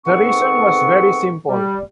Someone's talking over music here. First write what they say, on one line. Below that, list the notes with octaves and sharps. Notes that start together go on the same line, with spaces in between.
The reason was very simple.
G#2 B3 C4 A4 C#6
G3